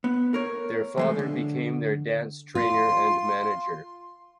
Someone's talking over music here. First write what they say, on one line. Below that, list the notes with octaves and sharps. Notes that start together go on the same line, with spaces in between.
Their father became their dance trainer and manager.
B3
A#4 C#5
E3 G#3 A3
D3
F4 C6